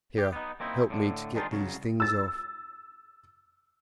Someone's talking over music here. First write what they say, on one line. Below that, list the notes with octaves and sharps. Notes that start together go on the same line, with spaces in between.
"Here, help me to get these things off."
G4
B3 D#4
A#3 C4 D#4 E4
A2 D3
D#3 F3 G#3 D4 D#4 F4
C2 C#3 F#3
E6 A6